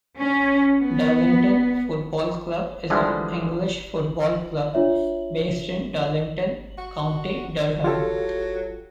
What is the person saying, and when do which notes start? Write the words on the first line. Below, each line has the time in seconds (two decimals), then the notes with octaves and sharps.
Darlington Football Club is an English football club based in Darlington, County Durham.
0.18 C#4
0.79 B3
2.90 D3 E3 F3 G3 G#3
4.74 D4 F4 C#5 E5
6.78 F#4
7.84 F#3 F4 G4 A4